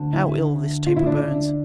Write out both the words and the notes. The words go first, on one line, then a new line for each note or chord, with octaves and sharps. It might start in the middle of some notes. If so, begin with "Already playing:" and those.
How ill this taper burns!
Already playing: D2 D3
E4
F4
E4
D4